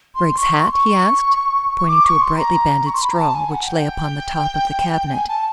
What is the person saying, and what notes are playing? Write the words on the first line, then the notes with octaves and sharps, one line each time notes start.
"Sprague's hat?" he asked, pointing to a brightly banded straw which lay upon the top of the cabinet.
C6
C#6
C#6
C6
C#6
C#6
D6
C#6
C6
A#5
C#6
C6
B5
A#5
A5
G#5
F#5
G5
G#5
A5